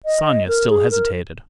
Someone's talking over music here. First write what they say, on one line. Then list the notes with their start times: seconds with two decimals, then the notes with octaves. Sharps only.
Sonia still hesitated.
0.05 D#5
0.48 A#4
0.69 G#4
0.91 A#4